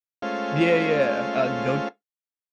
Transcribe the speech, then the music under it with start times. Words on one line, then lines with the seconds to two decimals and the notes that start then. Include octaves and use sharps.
Yeah, yeah. Uh, Goyte,
0.22 G#3 A3 C#4 F4 C5 F5